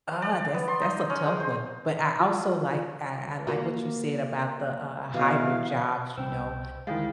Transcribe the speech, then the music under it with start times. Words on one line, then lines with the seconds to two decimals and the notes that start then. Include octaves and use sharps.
uh, that's that's a tough one. But I also like I I like what you said about the, uh, hybrid jobs, you know?
0.22 D5
0.54 B3
0.68 C6
0.82 D#4
1.10 C#4
1.26 G#3
1.40 C5
2.20 F4
3.47 A#3 F4 F#4
5.14 B2 E3 F5
6.17 C2 C5 G5 E6
6.87 D2 D#3 G#3 E4 G#4 F5 G5 A6